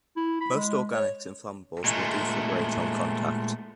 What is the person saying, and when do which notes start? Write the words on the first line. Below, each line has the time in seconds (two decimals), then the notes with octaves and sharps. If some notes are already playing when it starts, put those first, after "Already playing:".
Most organics and flammables will deflagrate on contact.
0.17 E4
0.41 B5
0.55 G#3
0.94 C#5
1.84 A#2 G#3 A3